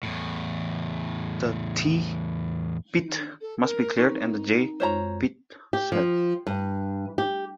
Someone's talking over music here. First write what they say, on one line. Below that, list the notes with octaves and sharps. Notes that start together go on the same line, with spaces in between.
The "T"-bit must be cleared and the "J"-bit set.
E2 A2
A4
A#4
C4 D#4 A#4 C#6
F#2 G#3 F4 C5 C#5 A#5
G4
F3
G2
G4